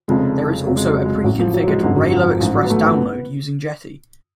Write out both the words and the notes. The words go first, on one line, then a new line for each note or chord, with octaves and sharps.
There is also a pre-configured Railo Express download using Jetty.
F1 F2 C#3 G#3
F1 F2 C#3 F#3
G#3
F#3
G#3
A1 A2 F#3
F3
F#3
F#3
G#3
G#1 F#2 D3 G#3
F#3
F3
F3
A1 G#2 F3
F#3
B3
A3
B3